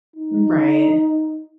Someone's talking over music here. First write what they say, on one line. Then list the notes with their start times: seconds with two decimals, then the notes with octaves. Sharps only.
Mm, right.
0.16 D#4